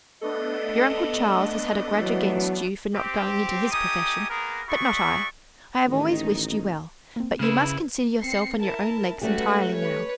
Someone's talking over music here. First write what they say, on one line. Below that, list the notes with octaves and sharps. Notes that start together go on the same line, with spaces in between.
Your uncle Charles has had a grudge against you for not going into his profession, but not I. I have always wished you well, but you must consider yourself on your own legs entirely now.
A3 B3 D4 A4 D#5
E3 F#3
C4 G4
A3 D#4 G4 G#5 D#6
A#3 B3 G#4 A#4
E4 F#4 G#4 D5 B5 C#6
A1 D#3 D#4
A#3 C4
C#3 E4 B4 F6
C4 C7 C#7
E4 A#4 A5
G3 A3 C#4 F#4 G4 B4
B4 C#5